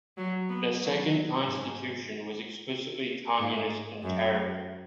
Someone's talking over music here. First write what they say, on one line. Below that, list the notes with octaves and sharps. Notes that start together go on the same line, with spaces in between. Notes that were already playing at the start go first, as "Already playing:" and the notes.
The second constitution was explicitly communist in character.
F#3
B3
F#3
G#2
G#2
F#2